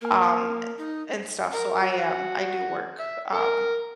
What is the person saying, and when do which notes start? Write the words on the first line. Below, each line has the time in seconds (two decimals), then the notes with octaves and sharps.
um, a and stuff, so I, um, I do work, um
0.01 A#3 A#4
0.78 D#4
1.53 A#4
1.81 F#4
2.99 E5
3.33 A#4